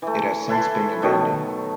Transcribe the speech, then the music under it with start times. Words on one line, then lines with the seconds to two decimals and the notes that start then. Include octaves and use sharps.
It has since been abandoned.
0.02 E3 A3
0.49 E4 B4 A5 C6
1.02 B2 D#3 F#3 A3